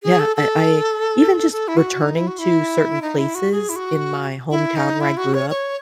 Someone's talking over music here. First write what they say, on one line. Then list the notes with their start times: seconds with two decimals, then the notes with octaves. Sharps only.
yeah, I I even just returning to certain places in my hometown where I grew up,
0.03 G#4
0.20 A4
0.36 A4
1.52 A4
1.68 E4
1.77 F#4
2.02 D#4
2.15 E4
2.27 F#4
2.39 E4
3.02 D#4
3.18 E4
3.35 F#4
3.52 G#4
3.69 E4
3.76 F#4
4.51 E4
4.76 D#4
5.01 E4
5.17 F#4
5.34 C#5
5.50 C#5